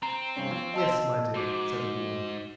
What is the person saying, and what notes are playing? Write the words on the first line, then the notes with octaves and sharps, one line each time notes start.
"Yes, my dear," said the warden.
C4 A#5
G2 C3 C#4
F3 B3
D#5 A5 E6
G#2 F#4 D6